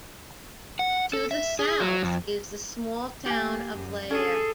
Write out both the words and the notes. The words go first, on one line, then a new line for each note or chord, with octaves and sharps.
To the south is the small town of Lairg.
F#5
A4
E5
G#4
F#3
F2
A#3 G4 G#5
F#2
C#4 G#4 A4